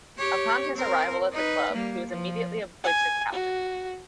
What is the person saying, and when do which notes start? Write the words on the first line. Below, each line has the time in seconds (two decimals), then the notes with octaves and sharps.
Upon his arrival at the club, he was immediately appointed captain.
0.17 G4 C#5
0.75 C4 A#4
1.32 D#4 B4
1.72 G3 A#3
2.07 F3
2.84 G#5
3.32 F#4